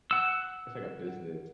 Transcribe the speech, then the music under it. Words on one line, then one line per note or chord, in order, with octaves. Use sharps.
it's, like, a business
F#5 E6